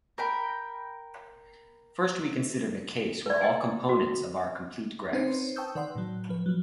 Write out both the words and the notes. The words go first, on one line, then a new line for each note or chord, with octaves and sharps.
First we consider the case where all components of are complete graphs.
A#4 G5 B5
B4 D5
D#5 G5 G#5
F#4
C4 C#4 D#4 B4 C5
G5 A5 C#6 D#6 E6 G6
D#3 B4 D5 F#5 C6
A2 F#3
F3 B4
F3 F#3